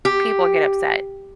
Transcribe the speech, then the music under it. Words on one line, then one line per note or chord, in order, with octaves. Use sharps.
people get upset.
G4